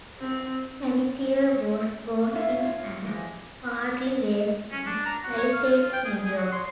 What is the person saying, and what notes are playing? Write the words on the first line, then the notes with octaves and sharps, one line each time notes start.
Panettiere was born in and partly raised in Palisades, New York.
C4
A2 F4 C#5 E5 F5
F4 C#5
E3 F3 G#3
C#4
D4
A#5
F#4
C#5
F5
F4
G5
G#4
G#4
F#4
C6